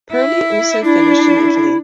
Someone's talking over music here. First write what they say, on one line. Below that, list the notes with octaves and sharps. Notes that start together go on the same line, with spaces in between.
Purley also finished in Italy.
E4
D4 E4